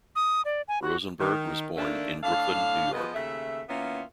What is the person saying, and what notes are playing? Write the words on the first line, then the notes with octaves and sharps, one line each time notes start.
Rosenberg was born in Brooklyn, New York.
D#6
D5
G#5
F#4
D#3
D3 D#3 A3 A#3 D4
A2 D4 A4 F5
F3 B3 F4 G#4 B4 D#5
D#2 C#3 A3 E5
D#3 A#3 B3 C#4 E4 F4